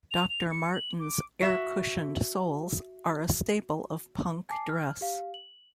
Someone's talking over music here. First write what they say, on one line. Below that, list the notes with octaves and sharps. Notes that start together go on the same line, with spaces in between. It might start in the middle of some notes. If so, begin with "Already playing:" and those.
Doctor Martens air-cushioned soles are a staple of punk dress.
F7
F7
C#7
F#7
D6
F#4 E5
G#5 A5 D6 C7
F6
G4 F5
F#7